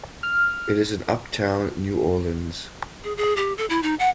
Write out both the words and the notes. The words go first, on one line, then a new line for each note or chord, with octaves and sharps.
It is in Uptown New Orleans.
F6
G#4
G#4
G4
A4
E4
D#4
F#5